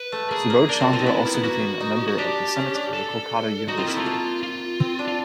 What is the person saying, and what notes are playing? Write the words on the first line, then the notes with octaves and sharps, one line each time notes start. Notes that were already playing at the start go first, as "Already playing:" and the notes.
Subodhchandra also became a member of the Senate of the kolkatta University.
Already playing: B4
A3
A#3 G#4
A#3
D4 A#4
C4 F#4
C4 F4
D#4
B3 E4
A#3
B3
A#3 F#4
D#4
F#4
D4 G4
C#4
D4
A4
D#4 F#4
C4 F4
A#3 E4
A3 F4
A#3
F4
C4
D4
F4